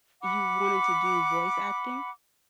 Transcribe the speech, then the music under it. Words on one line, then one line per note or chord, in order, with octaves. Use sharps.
you wanted to do voice acting?
F#5 B5 D6